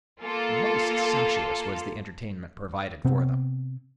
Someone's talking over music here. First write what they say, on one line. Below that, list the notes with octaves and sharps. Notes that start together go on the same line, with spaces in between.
Most sumptuous was the entertainment provided for them.
A#3 F4 A4
C3 B3 C4